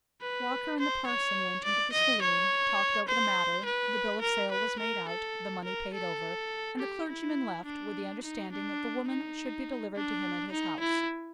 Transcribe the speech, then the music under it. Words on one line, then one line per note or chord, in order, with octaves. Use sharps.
Walker and the parson went into the saloon, talked over the matter, the bill of sale was made out, the money paid over, and the clergyman left, with the understanding that the woman should be delivered to him at his house.
B4
C5
C#5
D5
D#5
C#5
C5
B4
A#4
B4
A#4
A4
A#4
A4
G4
E4
D4
D#4
D4
D#4
D4
D#4
E4